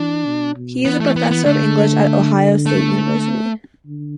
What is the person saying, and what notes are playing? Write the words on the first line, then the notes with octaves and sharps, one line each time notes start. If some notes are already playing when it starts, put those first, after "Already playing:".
He is professor of English at Idaho State University.
Already playing: E3 D4
B2
B2
E3 B3
A3
B3
B3
D3 A3
A3
D3